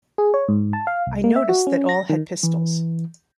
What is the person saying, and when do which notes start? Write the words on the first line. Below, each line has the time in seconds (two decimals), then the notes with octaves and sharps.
I noticed that all had pistols.
0.18 G#4
0.34 C#5
0.48 G#2
0.73 A5
0.87 F5
1.06 C2
1.24 A#3
1.36 E5
1.49 F#4
1.67 C#4
1.89 A#6
2.10 D#3
2.43 E3